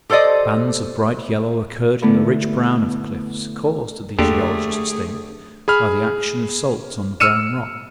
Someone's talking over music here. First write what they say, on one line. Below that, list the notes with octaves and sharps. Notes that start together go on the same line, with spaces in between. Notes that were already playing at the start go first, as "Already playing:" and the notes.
Bands of bright yellow occurred in the rich brown of the cliffs, caused, the geologists think, by the action of salts on the brown rock.
G4 A4 C5 D5 D#5
D3 A3 B3 D4 E4
E2 D3 A3 A#3 G4 G#4 D5
G#4 B5 F6
E6 F6 C#7 D#7 E7